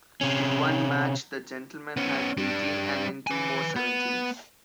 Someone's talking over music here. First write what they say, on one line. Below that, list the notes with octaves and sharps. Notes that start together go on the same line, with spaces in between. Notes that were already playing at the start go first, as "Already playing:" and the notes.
In one match the Gentlemen had eighteen and in two more seventeen.
C3 C#4
B3 C#4
G3 D4
B4 G#5
B3